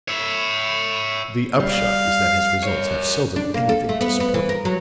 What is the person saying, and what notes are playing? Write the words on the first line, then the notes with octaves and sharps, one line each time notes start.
The upshot is that his results have seldom anything to support them.
C#5 E5
G3 F5
A#4 C#5
D4
A#3
A4
A3
B3
B3
E3
A#4
F#3